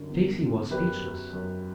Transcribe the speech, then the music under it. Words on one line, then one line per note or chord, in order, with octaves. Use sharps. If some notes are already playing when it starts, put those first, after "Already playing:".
Stacy was speechless.
Already playing: F#2 D3 G3
E2
E2
F#2 G4 B4
F#3
F#2